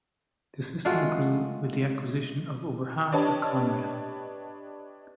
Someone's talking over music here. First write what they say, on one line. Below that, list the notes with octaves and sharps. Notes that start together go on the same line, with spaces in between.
The system grew with the acquisition of over half of Conrail.
G#3 A3 F4 F#4
D4 G4 B4 C#5 D#5 A5